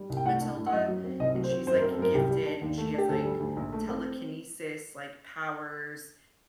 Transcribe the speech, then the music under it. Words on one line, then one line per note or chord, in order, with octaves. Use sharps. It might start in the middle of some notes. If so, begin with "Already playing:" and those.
"Matilda," and she's like g gifted, and she has, like, telekinesis, like, powers
Already playing: G3
C2
G5
A2 F#5
D4
A2
F#5
F#2 D#5
F#3
C4
C2 D#5
F#3
C5
C4
F#2 C5
A#4
C4
A4
F#2 A#4
C2 G4
G3
D4
D#2
A3
D4 G4
D2 A4
G3
D2
A#1
A3
C4